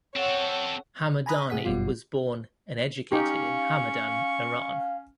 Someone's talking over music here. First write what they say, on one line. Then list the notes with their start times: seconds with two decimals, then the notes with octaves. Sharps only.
Hamadani was born and educated in Hamadan, Iran.
0.16 C4 A4 C#5 F#5
1.26 G#5 A#5 B5 D#6 F#6
1.50 A2 C3 G#4 F#5 B6
1.65 G1 F#2 B2 G3 F4
3.12 C#4 D#4 G4 F5 C#6